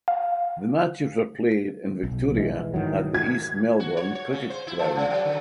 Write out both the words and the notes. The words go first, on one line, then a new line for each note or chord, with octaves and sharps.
The matches were played in Victoria at the East Melbourne Cricket Ground.
F5
B1
B1 E3 F3 G#3
G#2 D#3 E3 F#3
G#6
F#4
C#5
C#5
C#3
C5
E4
E3
C#3
F#3
D3